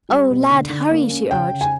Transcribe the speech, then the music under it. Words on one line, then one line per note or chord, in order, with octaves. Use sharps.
"Oh, Lad, hurry!" she urged.
G3
B2
D3
D3
A#3
C#4
C#3 G5
C#3
G#5